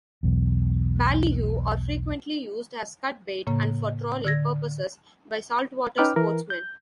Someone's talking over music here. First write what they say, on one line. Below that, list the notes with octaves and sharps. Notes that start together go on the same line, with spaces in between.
Ballyhoo are frequently used as cut bait and for trolling purposes by saltwater sportsmen.
B1 E2
A2 C#3 A#3
D3 E6 G#6 A#6
C#4 D#4 B4 G5 D6 F6
E3 A#4
G6